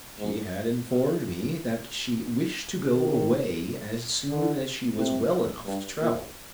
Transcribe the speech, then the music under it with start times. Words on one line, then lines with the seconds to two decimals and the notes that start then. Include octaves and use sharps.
She had informed me that she wished to go away as soon as she was well enough to travel.
0.19 G#2
2.93 D#3
4.29 D3
4.97 C3
5.66 G2
6.01 A#2